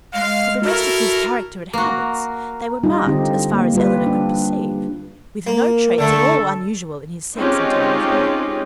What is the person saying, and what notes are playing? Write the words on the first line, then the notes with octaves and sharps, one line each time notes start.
For the rest of his character and habits, they were marked, as far as Elinor could perceive, with no traits at all unusual in his sex and time of life.
G#3 F5
E4 F#4 A4 A#4
A#3 F#4
G3 D#4 F4
D3 C4 D#4 G4
A#3
G3 F4 B4
D4
A#3
D3 A3 A4
G#3 C4 C#4 D#4 F4 G4